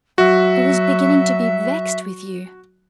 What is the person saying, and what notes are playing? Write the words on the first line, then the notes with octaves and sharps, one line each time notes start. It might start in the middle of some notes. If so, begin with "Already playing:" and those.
I was beginning to be vexed with you.
F#3 F#4 E5